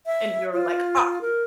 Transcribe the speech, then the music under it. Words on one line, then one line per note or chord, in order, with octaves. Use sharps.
And we were like, "Ah."
E5
F4
A#4